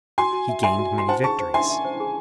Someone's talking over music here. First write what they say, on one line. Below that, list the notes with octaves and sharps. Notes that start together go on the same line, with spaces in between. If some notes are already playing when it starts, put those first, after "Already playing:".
He gained many victories.
F#4 G#5 C6
F#4
E5
E5 G#5 C6
F#4
F#4 C6
C5 F#5 A5
G#4 A5 C#6
C5
E5 G#5 C6
E5
C5
G#4